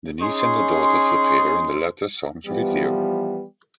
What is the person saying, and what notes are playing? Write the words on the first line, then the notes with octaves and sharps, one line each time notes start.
Denise and their daughters appear in the latter song's video.
C#4 D#4 G#4 C6
E3 F3 G3 B3